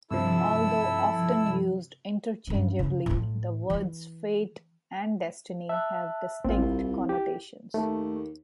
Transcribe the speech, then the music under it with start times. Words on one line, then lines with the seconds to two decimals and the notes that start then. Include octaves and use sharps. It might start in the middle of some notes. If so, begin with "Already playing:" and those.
Although often used interchangeably, the words "fate" and "destiny" have distinct connotations.
0.11 G2 C3 F3 E4 A4 E6
2.47 G2 C#4
2.79 C#3
3.06 A2 F4
3.70 E3
5.69 E5 A5 F#6
6.44 A1 A#3 C4 F4
6.58 C2 E4
7.09 G4
7.74 D#2 A3